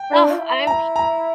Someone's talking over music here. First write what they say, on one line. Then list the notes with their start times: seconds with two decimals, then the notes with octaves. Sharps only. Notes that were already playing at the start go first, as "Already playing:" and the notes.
Ugh, I'm
Already playing: G5
0.11 D4
0.31 F4
0.38 E4
0.67 A#5
0.96 A#5